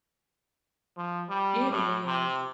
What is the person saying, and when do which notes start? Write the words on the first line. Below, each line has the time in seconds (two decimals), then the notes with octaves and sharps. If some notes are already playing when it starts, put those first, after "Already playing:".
It is.
0.97 F3
1.29 G3
1.70 A2
2.06 C3